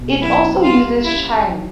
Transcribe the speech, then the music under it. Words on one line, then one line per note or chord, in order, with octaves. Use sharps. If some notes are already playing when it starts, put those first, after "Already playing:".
It also uses chimes.
Already playing: B2
F#3 A#3 C#4 E4 F4
G3 F4
A#3 C#4 E4
F#3